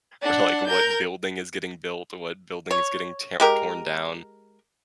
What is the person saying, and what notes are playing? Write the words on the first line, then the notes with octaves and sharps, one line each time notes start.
or, like, what building is getting built, or what building is getting tam torn down.
D4 F#5
A#4 G6
C#5
G#3 G4 A#4